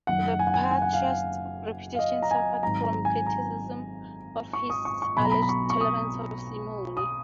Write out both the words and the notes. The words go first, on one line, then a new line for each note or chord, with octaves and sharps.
The patriarch's reputation suffered from criticism of his alleged tolerance of simony.
F#1 F#2 D#3 F#5
G#5
F#5
G#5
G#5
F#5
F5
F#5
F5
D#5
A#5
G#5
G#1 G#2 F#3 A#5
A#5
G#5
A#5
C#6
D#6
C#6
C#6
B1 B2 F#3 B5
A#5
B5
B5
C#6
C#6
D#6
D#6